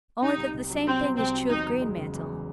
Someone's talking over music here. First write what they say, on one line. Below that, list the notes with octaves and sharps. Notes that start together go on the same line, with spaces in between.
'Only that the same thing is true of Greenmantle.
C3 D#4
C2
C2
F#3
C3 C4
C2
C2 C4
F#3
E2 D#4
F#1
G#3
C#3
E2